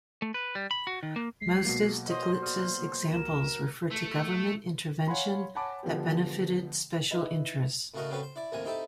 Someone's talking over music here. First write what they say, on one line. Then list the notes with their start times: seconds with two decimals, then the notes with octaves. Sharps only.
Most of Stiglitz's examples refer to government intervention that benefited special interests.
0.22 A3
0.34 B4
0.55 G3
0.71 B5
0.87 F#4
1.03 D#3
1.16 A#3
1.41 C2 G#3 B6 C7
1.65 B2 F#3 A#3
2.08 C5 C#5 D#5 F#5
2.42 D5 C#6 D#6 F6
3.13 C#2 A#4 E7
3.91 A3
5.07 C#5 F5 F#5 G#5 B5 C6
5.55 C#5 F#5 G#5 A5 B5 D6
5.83 D3 F3 G#3 B3 G4
7.11 D#4 E4 B4 D#5
7.94 A2 C#3 A3 F#4 A#4 D#5
8.10 C#3 F#3 C4 C#4 A4 B4
8.23 C5
8.36 E4 D5
8.52 A1 D#2 C3 F3 A#3 G#5
8.65 C4 D#4 E4 G4 A4 E5